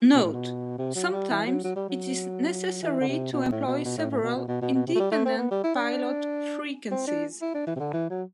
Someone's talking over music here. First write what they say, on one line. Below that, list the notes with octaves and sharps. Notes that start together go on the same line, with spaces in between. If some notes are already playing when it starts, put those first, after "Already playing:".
"Note:" Sometimes it is necessary to employ several independent pilot frequencies.
B2
A2
B2
C3
F#3
G3
E3
F#3
F#3
G3
F#3
E3
D3
C3
B2
A2
B2
B2
A2
A2
B2
B2
B2
B2
B2
C3
A3
G3
A3
C4
B3
G3
E4
D4
C4
D4
E4
D4
E3
C3
D3
E3
F#3